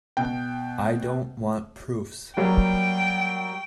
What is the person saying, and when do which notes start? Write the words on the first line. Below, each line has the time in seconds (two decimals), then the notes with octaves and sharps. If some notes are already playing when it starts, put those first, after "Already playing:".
I don’t want proofs.
0.17 B2 G5
2.37 F#3 G3 A#3 G5